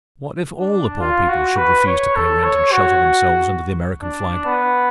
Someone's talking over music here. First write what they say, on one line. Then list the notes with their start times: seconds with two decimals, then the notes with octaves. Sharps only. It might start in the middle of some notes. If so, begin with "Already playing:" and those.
What if all the poor people should refuse to pay rent and shelter themselves under the American flag?
0.56 D4
0.99 F4
1.28 F#4
1.57 B4
1.86 C#5
2.15 A4
2.44 C#5
2.72 F#4
4.02 D4
4.45 B3